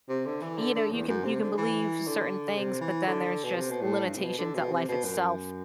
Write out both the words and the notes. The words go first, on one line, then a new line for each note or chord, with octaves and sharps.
you know, you can you can believe certain things, but then there's just limitations that life itself
C3
D3
E3
D3
D3
E2
F#2
C3
D3
E3
D3
C3
E3
D3
B2
C3
B2
A2
G2
C3
B2
D3
B2
C3
B2
F#2